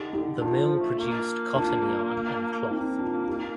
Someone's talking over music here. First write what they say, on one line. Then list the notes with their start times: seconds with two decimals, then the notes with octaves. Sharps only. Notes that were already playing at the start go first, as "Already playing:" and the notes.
The mill produced cotton yarn and cloth.
Already playing: D3 D#4 G4
0.13 D#4 G4
0.41 D#3 D4 F4
0.61 F3
0.79 A3
0.99 A#3
1.56 D4 F4
2.70 A#3 C4 D#4
2.98 D4 F4
3.27 D#4 G4